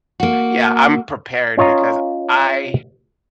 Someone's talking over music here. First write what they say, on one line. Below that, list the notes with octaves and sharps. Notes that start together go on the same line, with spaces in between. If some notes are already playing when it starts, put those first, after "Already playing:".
Yeah, I'm prepared because I
A#3 F#4
C#4 F4 C#5 D#5 A#5